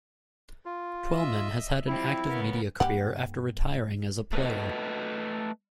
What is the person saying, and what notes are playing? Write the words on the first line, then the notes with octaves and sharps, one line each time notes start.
Twellman has had an active media career after retiring as a player.
F4
D#5 E5
F3 G3 C4 E4
C#3 B3 A#4
G2 G3 A#3 G4 F#5
A3 B4 D#5